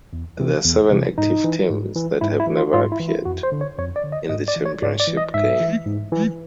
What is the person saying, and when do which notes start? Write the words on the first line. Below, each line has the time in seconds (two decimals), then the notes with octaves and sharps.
There are seven active teams that have never appeared in the championship game.
0.13 E2
0.40 C3 E3
0.65 E2
0.91 C3 E3
1.18 G#2 D#4
1.44 E3
1.70 G#2
1.96 E3
2.21 G#2 E4
2.40 E4
2.47 E3
2.57 F4
2.73 G#2 F4
2.92 E4
3.00 E3
3.09 E4
3.25 F2 F#4
3.43 C5
3.52 D3
3.61 C#5
3.79 F2 C#5
3.96 D5
4.04 D3
4.12 D#5
4.30 G#2 D#5
4.48 D5
4.56 E3
4.65 C#5
4.83 G#2 D5
5.00 D5
5.08 E3
5.17 D#5
5.34 G#2 E5
5.60 E3
5.86 G#2
6.12 E3